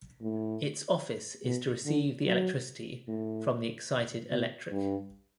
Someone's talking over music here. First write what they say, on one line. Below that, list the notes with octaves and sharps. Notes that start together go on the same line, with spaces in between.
Its office is to receive the electricity from the excited electric.
A2
B2
D3
F#3
A2
B2
G2